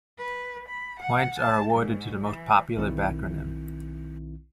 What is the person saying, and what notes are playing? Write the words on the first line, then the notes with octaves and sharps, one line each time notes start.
Points are awarded to the most popular backronym.
B4
B5
F#5
A5
G#2
E3
B1 D#3 C4 E4